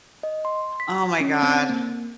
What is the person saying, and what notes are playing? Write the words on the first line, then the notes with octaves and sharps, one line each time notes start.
Oh my god.
D#5
C6
B6
C#4
C4
A#3